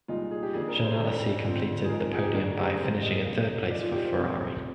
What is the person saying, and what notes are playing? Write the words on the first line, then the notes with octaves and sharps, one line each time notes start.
Jean Alesi completed the podium by finishing in third place for Ferrari.
C2 A#2 G#3 D#4 F4
G#4
G4
F2 D#3 A#3 D4 G#4
A#4
C5
F2 D#3 G#3 D4
F2 D3 F3 C4
G#4
G#2 F3 G#3 D#4 A#4
A#4
G#4
G4
D2 D3 G#3 D4 A#4
G4
G#4
C2 C3 D#3 G3 C5
D#5
C2 C3 G3 A#3 D#4 F5
G#2 F3 G#3 D#4 D5
F4
G4
C5
D2 C3 G3 C4 C5
C5